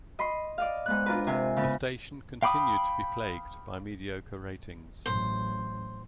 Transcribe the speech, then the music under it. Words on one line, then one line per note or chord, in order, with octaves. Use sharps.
The station continued to be plagued by mediocre ratings.
D#5 B5 C6
D5 D#5 F5
G#2 B3 F#6
D4 F4 A#4 B4
C3 G#5
C#3 B3
F5 G5 B5 D6 D#6
A1 F#3 C5